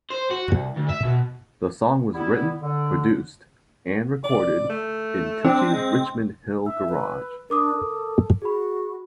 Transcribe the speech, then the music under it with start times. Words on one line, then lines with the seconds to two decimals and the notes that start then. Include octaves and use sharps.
The song was written, produced and recorded in Tucci's Richmond Hill garage.
0.11 C5
0.31 F#4
0.49 C2
0.77 D2
0.90 E5
1.04 B2
2.13 G3 B3 E4
2.62 D3
4.24 D5
4.69 A3
5.45 C4 D4
5.73 G#3
6.66 E5 E6
6.89 B4
7.50 D4 A#4 D6 D#6
7.75 A4
8.42 F#4 G#4 B5